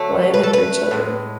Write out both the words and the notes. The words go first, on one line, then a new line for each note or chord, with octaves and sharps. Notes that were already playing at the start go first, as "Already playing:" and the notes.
Lion had three children.
Already playing: D3 F#3 A3
B4
A4
B4
A2 G#3